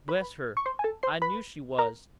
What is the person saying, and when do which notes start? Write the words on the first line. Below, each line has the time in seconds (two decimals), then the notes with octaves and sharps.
Bless her, I knew she was!
0.09 B4 B5
0.57 C#6
0.66 C5 C6
0.79 G#5
0.84 A4 A5
1.03 C5 C6
1.22 B4 B5
1.79 A#4 A#5